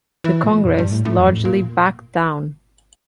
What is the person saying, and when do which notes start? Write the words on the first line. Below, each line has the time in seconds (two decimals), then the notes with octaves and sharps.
The Congress largely backed down.
0.24 E3
0.43 A#2
0.64 F2
0.78 G2
0.92 A2
1.05 A2
1.18 F2
1.32 A2
1.45 A#2